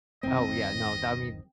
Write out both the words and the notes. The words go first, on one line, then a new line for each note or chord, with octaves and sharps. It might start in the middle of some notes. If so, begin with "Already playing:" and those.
Oh, yeah, no, that mean
D1 F#2 D#3 C4 D#5